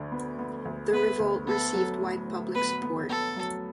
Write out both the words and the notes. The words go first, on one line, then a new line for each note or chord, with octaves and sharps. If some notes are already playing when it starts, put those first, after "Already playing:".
The revolt received wide public support.
Already playing: D2 D3
B3
B3
D2
B3 B4
D2
B3 A4
F#3
A2
A2
B3 B4
B3
B3 A4
F#3